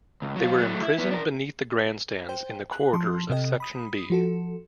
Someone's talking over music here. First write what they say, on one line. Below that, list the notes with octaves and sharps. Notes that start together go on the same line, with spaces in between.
They were imprisoned beneath the grandstands in the corridors of Section B.
C#2
F#3 F4
F#3 A3
E4
B3 E4
D4 A#4
C5 G5
F#6
F3 A5 C6
C3 A4 D#5 G5
B5 D#6
F3 F#4 A4